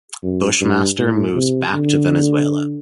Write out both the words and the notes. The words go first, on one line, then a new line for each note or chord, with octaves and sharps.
Bushmaster moves back to Venezuela.
F#2
G2
A2
C3
D3